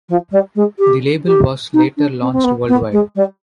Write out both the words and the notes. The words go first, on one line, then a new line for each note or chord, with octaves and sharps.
The label was later launched worldwide.
F3
G3
G#3
G4
G4
D#4
D4
C4
C4
B3
B3
G#3
G3